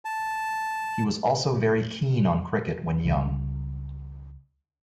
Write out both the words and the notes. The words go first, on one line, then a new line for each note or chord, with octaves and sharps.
He was also very keen on cricket when young.
A5
C#2 C#3 G3